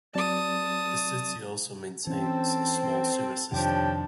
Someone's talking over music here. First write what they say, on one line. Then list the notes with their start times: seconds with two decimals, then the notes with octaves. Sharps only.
The city also maintains a small sewer system.
0.15 F#3 C4 D5 A5 D#6
2.07 E3 C4 C#4 A4
3.51 F2 C3 D#3 F3 D4 G4 C#5 G5